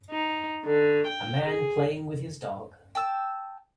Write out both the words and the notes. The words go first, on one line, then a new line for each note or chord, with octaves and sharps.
A man playing with his dog.
D#4
D3
G5
G#4
G5 A5 E6